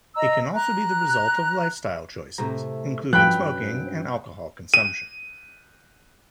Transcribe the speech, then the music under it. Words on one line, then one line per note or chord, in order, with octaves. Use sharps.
It can also be the result of lifestyle choices including smoking and alcohol consumption.
D#5 A#5 E6
A#5 F#6
A2 C3 A3 A#5
G2 F3 F#3 C#4 G5 B5 F#6
D#7